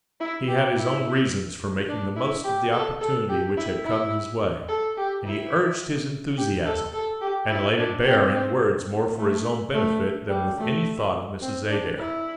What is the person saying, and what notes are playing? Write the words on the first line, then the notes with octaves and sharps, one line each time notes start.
He had his own reasons for making the most of the opportunity which had come his way; and he urged his enthusiasm, and laid it bare in words more for his own benefit than with any thought of Mrs. Adair.
E4
G4
E4
D4
E4
G4
A4
A4
G4
E4
E4
A4
G4
E4
G4
A4
A4
G4
E4
D4
C4
A3
A3
G3
A3
C4
D4
E4